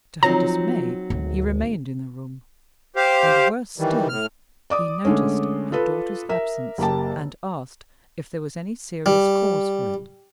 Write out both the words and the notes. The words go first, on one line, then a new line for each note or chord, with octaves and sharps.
To her dismay he remained in the room; and, worse still, he noticed her daughter's absence, and asked if there was any serious cause for it.
F3 F#3 C4 D#4 F4 A#5
G#1 D2
G4 C5 F5
D#3 E3 G3
A2 F6
D5 D6 D#6
D3 G#3 A3 C#4
F4 A4 B4
A#4 E5
F#1 A#3 G4 A5
G3